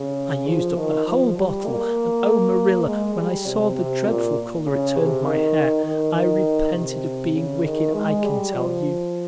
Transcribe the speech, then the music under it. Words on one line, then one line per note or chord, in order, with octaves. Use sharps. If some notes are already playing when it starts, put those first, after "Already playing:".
I used up the whole bottle, and oh, Marilla, when I saw the dreadful color it turned my hair I repented of being wicked, I can tell you.
Already playing: C#3
F3
D#3
F3
G3
A#3
G#3
G3
C3
C3
A#2
C#3
C3
D#3
D#3
D#3
C3
C#3
D#3
G#3
G3
F3